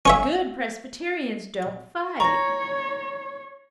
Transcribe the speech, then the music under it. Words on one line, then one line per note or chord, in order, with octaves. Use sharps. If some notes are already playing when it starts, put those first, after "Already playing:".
"Good Presbyterians don't fight."
C#4 C#5 E5
C#5 A#5 C#6 A#6